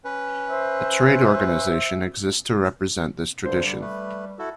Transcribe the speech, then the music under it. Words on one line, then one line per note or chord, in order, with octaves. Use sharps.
A trade organisation exists to represent this tradition.
C#4 B4
C5 E5
G2 D3 C5
G3
A3 B4
E4 F#4 A4